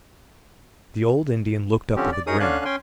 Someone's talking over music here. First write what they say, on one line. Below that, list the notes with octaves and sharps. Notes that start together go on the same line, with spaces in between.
The old Indian looked up with a grin.
D3 F3 C4 C#4 G4
D5
F#2 D#4 G#4 A#4 C#5 D#6
D3 C#4 D4 F5 G#5 F#6
C#4 G5 G#5 C6